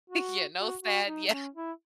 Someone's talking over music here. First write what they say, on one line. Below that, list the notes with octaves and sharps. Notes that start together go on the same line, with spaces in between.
Yeah, no sad. Yeah
F#4
F#4
F#4
D#4
C#4
E4